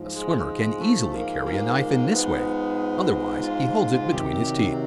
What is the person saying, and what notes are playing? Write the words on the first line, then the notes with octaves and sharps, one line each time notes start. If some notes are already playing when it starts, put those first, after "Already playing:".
A swimmer can easily carry a knife in this way; otherwise he holds it between his teeth.
Already playing: G#2 F3
G#3
A3
A#3
G#2 F3 A#3
B3
F4
C3 D#3 F#3 G4